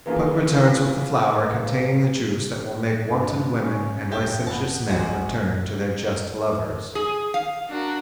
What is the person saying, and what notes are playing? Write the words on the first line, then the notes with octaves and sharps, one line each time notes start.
Puck returns with the flower containing the juice that will make wanton women and licentious men return to their just lovers.
E3 A#3 B3 F4 G#4
G2
C#4
F#1 G4 E5 G6 G7
B3 A5
B1 G#3 C#4 F#4 C5
G#4
F5
D4 F#4 A#4